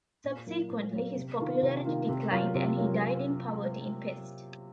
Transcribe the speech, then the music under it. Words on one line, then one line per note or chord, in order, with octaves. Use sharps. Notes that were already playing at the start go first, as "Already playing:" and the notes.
Subsequently, his popularity declined, and he died in poverty in Pest.
A#2
F#3 A#3
A#2
F#3 A#3
C3
D#3 A#3 F4
C3
D#3 A#3 F4
C3
F#3 A#3 F4
C3
F#3 A#3 F4